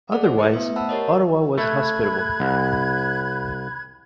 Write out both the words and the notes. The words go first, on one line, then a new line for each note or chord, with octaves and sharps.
Otherwise, Ottawa was hospitable.
G#4 A4 D5 F#5
C5
E4 B4 C#7
A3 B3 E5
C5 F#5 A5 B5 E6
G4 A#4 C#5 D#5
A3 B5 F#6 G#6
C2